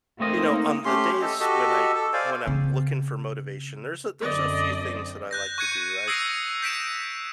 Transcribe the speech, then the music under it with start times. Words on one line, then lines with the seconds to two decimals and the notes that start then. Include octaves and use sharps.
you know, on the days when I when I'm looking for motivation, there's a there's a few things that I like to do. I,
0.20 A3 A#3 C4 D#4 D#5
0.85 A3 C#4 G4 C6
1.22 G4 A4 D#5
1.40 F#4 G4 A4 D#5
1.95 A4
2.13 C5 D5 F5 G#5
2.47 C#3 C4
4.21 F#2 D3 C4 D5 D#5
5.31 F#6 G6 A#6
5.58 C#6 F#6 G#6 C#7 D#7
6.08 D#6 E6 G#6 A#6 C7 D7
6.62 G6 B6 D7 E7